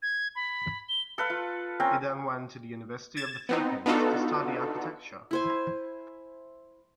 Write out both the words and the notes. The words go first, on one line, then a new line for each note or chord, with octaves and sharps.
He then went to the University of the Philippines to study Architecture.
G#6
B5
G7
A4 B4 F5
F4
C4 C#4 A#4
G#6 A6 E7
B3 C4 D#4
B3 D4 D#4 F4 F#4 A4
E4 C5 G#5